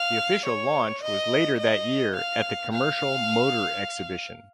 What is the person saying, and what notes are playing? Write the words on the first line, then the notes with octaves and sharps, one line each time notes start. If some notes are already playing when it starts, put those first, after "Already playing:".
The official launch was later that year at the Commercial Motor Exhibition.
Already playing: F5
C#5
D#5
D#5
F5
F5